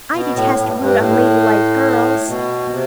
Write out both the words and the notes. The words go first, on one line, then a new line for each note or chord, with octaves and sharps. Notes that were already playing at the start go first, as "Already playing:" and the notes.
"I detest rude, unladylike girls!"
B2
A2
A2
G2
G2
A2
B2
C3